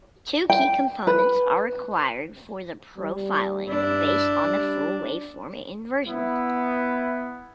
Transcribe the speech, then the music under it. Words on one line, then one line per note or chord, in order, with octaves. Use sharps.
Two key-components are required for the profiling based on full-waveform inversion.
G5
B4
G3
G2 D4 E4
G3
B3 E4